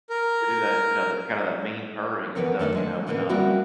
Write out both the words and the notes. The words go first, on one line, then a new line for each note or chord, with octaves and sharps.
they do that you know, that kind of that mean purring and stuff, you know, when, um
A#4
D3 E3 B3 C4 A#4 C#5
D#3 F#3 A3 D4
G#3 A5
A2 D3 E3 A#3 C4 C#4
G3 A#3 C4 C#4 E4 F#4